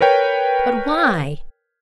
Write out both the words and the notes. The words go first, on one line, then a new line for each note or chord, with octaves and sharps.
But why?
A#4 B4 C#5 G5